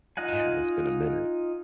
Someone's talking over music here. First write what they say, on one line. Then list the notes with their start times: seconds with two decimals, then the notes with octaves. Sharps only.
Yeah, it's been a minute.
0.17 D#4 F4 D#5 F#5 G#5